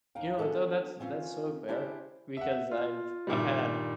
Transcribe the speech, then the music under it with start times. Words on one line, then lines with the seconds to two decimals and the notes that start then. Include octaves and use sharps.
You know what, though? That's that's sorta fair because I've I've had
0.15 D#2 D#4 F5 G5
0.38 B3 C#4 D4 A4 B4
1.00 E3 C4 C#4 F4
1.68 C#4 D4 E4 G4 C5
2.37 E5 F#5
2.72 F4
3.27 G2 A#2 D#3 G3